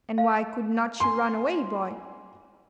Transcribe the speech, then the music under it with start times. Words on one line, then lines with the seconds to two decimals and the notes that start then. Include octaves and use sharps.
'And why could not you run away, boy?'
0.18 F5
1.00 G#5 C6